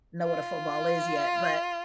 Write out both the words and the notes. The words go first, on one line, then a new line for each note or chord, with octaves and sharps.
know what a football is yet, but,
F4